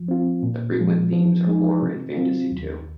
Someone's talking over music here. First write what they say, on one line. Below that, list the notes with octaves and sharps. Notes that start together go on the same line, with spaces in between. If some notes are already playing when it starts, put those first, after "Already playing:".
The frequent themes are horror and fantasy, too.
Already playing: F3
C4 F4
A#2
F3 G#3
F3
G#3 D#4 G#4
C3
F#3 C4 F4
D#2